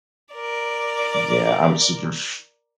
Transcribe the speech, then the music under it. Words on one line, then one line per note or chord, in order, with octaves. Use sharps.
yeah, I'm super f
A#4 D5